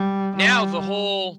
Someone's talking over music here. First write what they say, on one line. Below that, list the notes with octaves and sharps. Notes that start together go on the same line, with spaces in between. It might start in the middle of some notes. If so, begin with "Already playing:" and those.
now the whole
Already playing: G3
G3